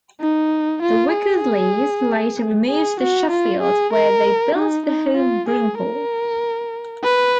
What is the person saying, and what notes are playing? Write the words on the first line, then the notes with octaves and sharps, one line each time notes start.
The Wickersleys later removed to Sheffield, where they built the home Broom Hall.
D#4
F4
G#4
G#4
F#4
F4
G#4
A#4
D#4
D#4
F4
G#4
A#4
B4